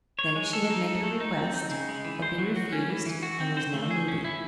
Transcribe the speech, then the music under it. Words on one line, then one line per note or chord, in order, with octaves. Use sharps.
Then she had made her request, had been refused, and was now moody.
C#5
G#3
A4
D#4
A4
A3
D#4
C4
D#4
C#3
G#3
E3
C5
F#3
F#4
C#4
E3
E3
F#4
C4
C5
A3
G#4
C#4
E4